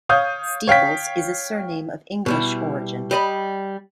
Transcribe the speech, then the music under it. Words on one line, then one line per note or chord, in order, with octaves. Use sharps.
Steeples is a surname of English origin.
C#5 F5 D#6 G6
C#5 F5 G5 B6
B2 G3 E4
G3 D#5 B5